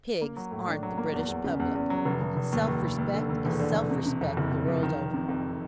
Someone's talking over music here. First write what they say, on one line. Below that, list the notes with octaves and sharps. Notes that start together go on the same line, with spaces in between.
Pigs aren't the British public; and self-respect is self-respect the world over.
A#3
F#3
A2
D4
F#3
A#3
E2
E2
C#3
E2
E2
F#3
F1
F1
F1
D#2
F1
F1
D#2
D3
D#2
E1
D3
E1
C3
C3
F2
F#1
F#1
F3
D#3
F1
C3
F2